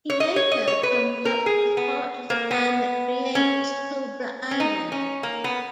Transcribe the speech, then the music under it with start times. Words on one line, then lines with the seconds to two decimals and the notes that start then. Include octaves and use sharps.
He later comes up with part of the plan that creatres Cobra Island.
0.10 C#5
0.20 D#5
0.36 C#5
0.52 D#5
0.68 C#5
0.83 B4
1.25 A#4
1.46 G#4
1.77 B3
2.30 A#3
2.51 B3
3.35 C#4
4.51 C#4
4.60 D#4
4.92 C#4
5.23 A#3
5.44 B3